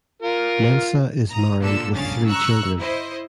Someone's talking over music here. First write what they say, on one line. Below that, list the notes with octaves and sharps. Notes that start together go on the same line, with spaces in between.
Mensah is married with three children.
F4 A#4
A#5 D#6
A#2 D3 A4 E6
G1 C#3 C#4 D4 F5 A6
A#5 C#6 E6 F#6
E4 C5 D#5